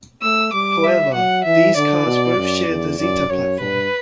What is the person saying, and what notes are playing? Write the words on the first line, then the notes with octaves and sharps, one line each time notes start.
However, these cars both share the Zeta platform.
A3 E6
G3 D6
E5
F#3 F#5
E3 E5
D3 D5
B2
F#2
E2
F#2 D5
F#2 C#5
G2 B4